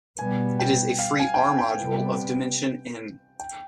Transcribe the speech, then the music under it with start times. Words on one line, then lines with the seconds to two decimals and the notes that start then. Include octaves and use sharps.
It is a free "R"-module of dimension "n".
0.19 B2 G3 B3 G#5
0.60 G5
0.99 F5
1.20 G#5
1.34 G5
1.39 G#5
1.59 G5
1.79 C3 G3 B3
3.40 G5